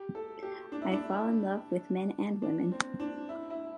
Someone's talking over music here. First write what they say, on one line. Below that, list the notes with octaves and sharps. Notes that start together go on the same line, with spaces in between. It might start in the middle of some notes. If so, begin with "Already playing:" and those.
I fall in love with men and women.
Already playing: G4
A4
G4
D4
E4
D4
D4
C4
D4
E4
E4